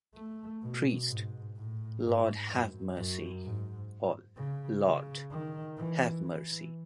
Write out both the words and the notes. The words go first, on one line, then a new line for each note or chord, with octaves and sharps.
Priest: Lord, have mercy. All: Lord, have mercy.
A3
B2
G#2
A2
G#2
F#2
F#2
G#2
C#3
C#3
D#3
E3
E3